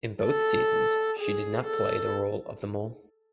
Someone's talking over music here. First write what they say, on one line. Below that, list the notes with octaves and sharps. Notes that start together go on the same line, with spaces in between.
In both seasons she did not play the role of the mole.
A4
G#4
A4